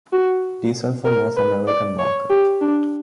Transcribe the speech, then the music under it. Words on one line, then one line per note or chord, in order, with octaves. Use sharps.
Diesel for North American Market.
F#4
A#4
B4
D5
C#5
G4
D4